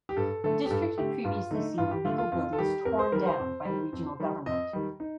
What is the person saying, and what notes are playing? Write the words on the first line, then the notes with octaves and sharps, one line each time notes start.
The district had previously seen illegal buildings torn down by the regional government.
G4
G2 A4
D3 A3 A4
G4
G2 A4
D3 A3 G4
G2 F4
D3 A3 D#4
G2 F4
G4
D3 A3 F4
F4
F2 F4
A4
D#3 G3 G4
F2 A#4
C5
D#3 G3 A#4
C5
F2
D#3 G3
F2
D#3 G3
F2 D#5
D#3 G3
D#4